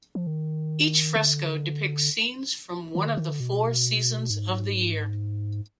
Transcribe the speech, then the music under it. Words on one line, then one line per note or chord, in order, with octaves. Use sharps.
Each fresco depicts scenes from one of the four seasons of the year.
F3
D#3
D3
D#3
D3
D#3
D3
B2
G#2